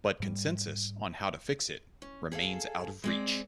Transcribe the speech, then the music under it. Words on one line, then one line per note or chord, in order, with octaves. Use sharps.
But consensus on how to fix it remains out of reach.
G#2 G3
C#4
G#4 A4 C#5 F5
G#3 C4 D5